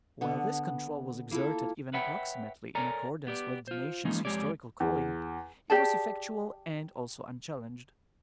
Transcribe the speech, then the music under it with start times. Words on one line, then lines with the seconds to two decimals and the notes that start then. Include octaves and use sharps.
While this control was exerted even approximately in accordance with the nation's historical calling, it was effectual and also unchallenged.
0.21 D3 B3
1.31 A#3 E4 F4 A4
1.93 B4 C#5 E5 F#5 G5 B5
2.75 A4 A#4 C#5 D5 G#5 A#5
3.27 B3 G4 D5
3.68 F4 C5
4.05 E3 F3 G#3 A#3 C#4 D#4
4.25 F2 D#3 G#3 G4 C#5 D5
4.80 E2
5.70 G4 G#4 D5 A5